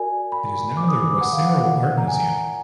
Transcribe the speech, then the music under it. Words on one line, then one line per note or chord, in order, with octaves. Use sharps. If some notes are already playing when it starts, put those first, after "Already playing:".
It is now the Rwesero Art Museum.
Already playing: F#4 A#4 D5 G#5
B5
D6
D#6
D6
F#5
F5
F#5
F4 A#4 D5 F#5
A#5
G#5